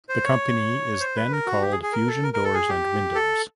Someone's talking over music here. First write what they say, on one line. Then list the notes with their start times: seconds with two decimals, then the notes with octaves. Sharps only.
The company is then called Fusion doors and windows.
0.09 C5
0.24 C#5
1.00 C5
1.16 B4
1.32 A#4
1.47 F#4
1.62 G4
1.72 G#4
1.83 G#4
1.93 A#4
2.08 A4
2.23 A#4
2.34 A#4
2.44 A4
2.54 G#4
2.69 G4
3.15 A4